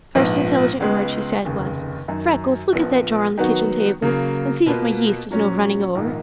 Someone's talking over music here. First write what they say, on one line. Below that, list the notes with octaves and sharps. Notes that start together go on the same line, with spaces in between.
The first intelligent word she said was: "Freckles, look at that jar on the kitchen table and see if my yeast is no running ower."
A#1 G#2 F3 B3
C#2 C#3 G#3 B3
F1 D#2 C#3
F#2 D#3 F#3
A#1 A#2 F3 B3
D#3 F#3 B3 F#4
C#3 F#3 A#3
B2 A#3 F4 B4
A#2 F#3 C#4
A#1 G#2 D#3 A#3